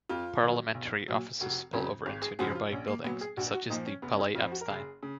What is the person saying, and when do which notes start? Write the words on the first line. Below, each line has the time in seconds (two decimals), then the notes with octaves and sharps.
Parliamentary offices spill over into nearby buildings, such as the Palais Epstein.
0.09 F2 F4
0.43 D#3 F#3
0.74 B1
1.08 A#2 F#3
1.41 F1 F#4
1.73 F2 C#3 F#3
2.06 G#1 G#4
2.22 G#4
2.39 F#2 C#3 F3 F#4
2.55 F4
2.71 A#1 C#4
2.87 A#3
3.04 A#2 F#3 B3
3.21 G#4
3.37 A#1 F#4
3.53 F#4
3.70 A#2 F3 D#4
3.87 C#4
4.02 F#1 B3
4.14 C#4
4.19 D#4
4.35 F2 F3 F4
4.52 F#4
4.61 A#4
4.68 F#1 G#4
5.03 C#3